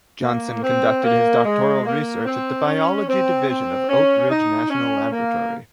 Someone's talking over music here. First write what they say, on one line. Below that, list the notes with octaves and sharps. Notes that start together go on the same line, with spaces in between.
Johnson conducted his doctoral research at the biology division of Oak Ridge National Laboratory.
A#3
C4
A#3
G#3
A#3
C4
C#4
C4
C4
C#4
D#4
C#4
A#3